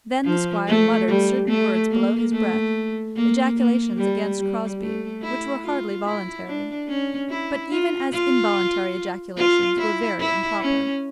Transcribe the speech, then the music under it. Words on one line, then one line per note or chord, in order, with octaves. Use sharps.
Then the squire muttered certain words below his breath,--ejaculations against Crosbie, which were hardly voluntary; but even as involuntary ejaculations were very improper.
F3
A3
G3
A3
A#3
A3
A#3
A#3
G3
G3
A3
E4
F4
E4
D4
C#4
E4
F4
F4
F4
E4
E4
C#4